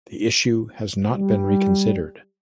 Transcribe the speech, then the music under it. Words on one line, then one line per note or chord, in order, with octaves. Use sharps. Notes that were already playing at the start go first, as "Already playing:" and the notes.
The issue has not been reconsidered.
G3